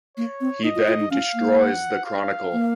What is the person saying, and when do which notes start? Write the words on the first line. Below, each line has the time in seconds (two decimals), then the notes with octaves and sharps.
He then destroys the Chronicle.
0.17 A#3 C#5
0.41 C4
0.63 D#4 D#5
0.76 F4
0.88 F4
1.00 D#4
1.11 C#4 F5
1.34 A#3
1.58 F#5
2.05 F5
2.53 A#3